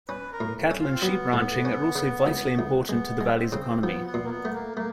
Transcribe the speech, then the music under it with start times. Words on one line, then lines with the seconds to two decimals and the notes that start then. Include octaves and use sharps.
Cattle and sheep ranching are also vitally important to the valley's economy.
0.09 C#4 B4
0.32 A#4
0.40 A2
0.71 C#4
0.79 F4
0.93 C4
1.02 F#3 B3
1.33 A2
1.65 C#4
1.95 C#3
2.27 C#2
2.59 C#2
2.89 G#3 B3
3.21 G#3
3.36 C4
3.52 C#3
3.83 F3 B3
4.06 B3
4.14 A#2
4.25 A#3
4.29 B3
4.45 A3
4.53 A#3
4.77 A3 A#3